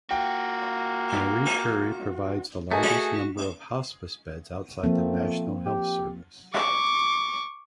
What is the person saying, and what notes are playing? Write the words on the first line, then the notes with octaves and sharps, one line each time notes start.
Marie Curie provides the largest number of hospice beds outside the National Health Service.
A#3 F4 F#4 G5
A3 F#4 G#4 A#4 D#5 G#5
F3 A3 A#3 C4
G4
C#6 D6